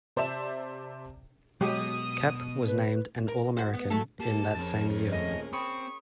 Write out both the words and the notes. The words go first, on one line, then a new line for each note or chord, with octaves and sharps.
Kapp was named an All-American in that same year.
C3 C5 D5 E5 A5 E7
B2 F#3 G#3 G4 D#6
B4
A#4
F#4 C5
B3
F#3 A3 A4
A#3 G4 A4 A5
F2 C#4 G#4 A#4 A6
D#1 A3 C4 D#5
C4 G5 B5 C#6 D#6